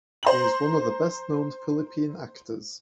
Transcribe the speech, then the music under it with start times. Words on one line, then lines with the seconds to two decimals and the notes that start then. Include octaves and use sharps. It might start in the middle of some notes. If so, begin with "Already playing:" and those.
He is one of the best-known Philippine actors.
0.23 C5 A#5 F#7